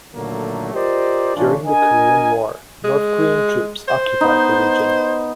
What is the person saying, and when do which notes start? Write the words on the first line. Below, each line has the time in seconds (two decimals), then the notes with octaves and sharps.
During the Korean War, North Korean troops occupied the region.
0.15 A#2 D3 D#3 F#3 A3 A#3
0.73 F4 G4 A#4 C5 D5 D#5
1.36 A1 E3 D4 F4 C#5 G#5
1.66 D4 A#4 D#5 G#5
2.84 G#3
3.88 C5
4.21 B3 D#4